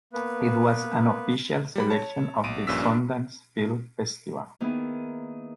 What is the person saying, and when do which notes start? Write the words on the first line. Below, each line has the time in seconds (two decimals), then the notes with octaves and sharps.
It was an official selection of the Sundance Film Festival.
0.13 A#3 B3 B4
1.76 G3 B5
1.90 C#5 A5
2.44 B1 D7 D#7
2.67 A#1 G2 A#2 C#4 E6 B6
2.83 D4
4.60 D#3 A#3 B3 E4 G#4